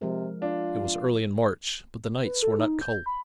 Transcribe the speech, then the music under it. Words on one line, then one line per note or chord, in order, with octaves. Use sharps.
It was early in March, but the nights were not cold.
C3 F3 G#3 A#4
D4 F4
B4
A4
D#4
G6
B5